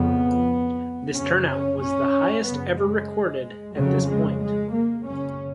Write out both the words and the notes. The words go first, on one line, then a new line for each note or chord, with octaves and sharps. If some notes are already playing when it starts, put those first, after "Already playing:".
This turnout was the highest ever recorded at this point.
Already playing: F2 C#3 B3
F#2 C#3 C#4
C#4
C#4
F#2 C#3 B3
G#3
F2 C#3 F#3
G#3
G#3
A#3
F#2 C#3 C#4